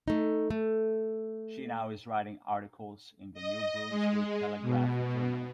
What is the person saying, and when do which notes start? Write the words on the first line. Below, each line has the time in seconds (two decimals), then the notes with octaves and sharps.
She now is writing articles in the "New Brunswick Telegraph-Journal".
0.08 A3 D#4
0.51 A3
3.34 D#5
3.90 G#3
4.62 B2